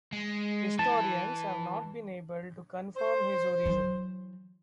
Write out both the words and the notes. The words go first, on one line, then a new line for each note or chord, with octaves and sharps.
Historians have not been able to confirm his origin.
G#3
E3 A5
C5
E3 F#3